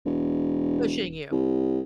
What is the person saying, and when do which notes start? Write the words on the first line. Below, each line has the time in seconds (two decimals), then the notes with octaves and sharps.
Pushing you.
0.05 E1
1.31 C2